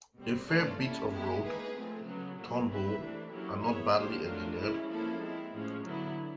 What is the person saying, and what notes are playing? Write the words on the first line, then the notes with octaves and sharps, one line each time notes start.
A fair bit of road, Turnbull, and not badly engineered.
B2 G3 C4
A3 C#4 F4 A4 D5
G3 A#3 C#4 E4 A4
G#3 B3 E4 G4
A#3 D#4 G#4 B4
F3 A3 C4
C#3 F#3 B3
A#2 F#3 A#3
C4 E4 G4 B4 E5
C3 E3 A3 D4
F#3 A#3 C#4 E4 G4
B3 E4 G#4 C#5 E5
F3 A#3 D4 G4 C5
F#3 A3 D4 F4 A#4
E3 G#3 C#4 E4
F3 A#3 C#4 E4 A4
G#3 C4 E4
A2 F3 G#3 C#4
D3 F#3 B3 E4